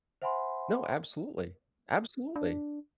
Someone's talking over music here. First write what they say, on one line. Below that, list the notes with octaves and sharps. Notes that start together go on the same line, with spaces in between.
No, absolutely. Absolutely.
C5 E5 F#5 G#5 B5 C6
D4